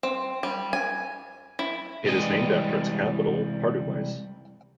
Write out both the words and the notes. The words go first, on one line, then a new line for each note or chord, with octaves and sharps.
It is named after its capital Pardubice.
C4
G3
G#5
E4
C2 D#3 E3 G3 G#3 D#5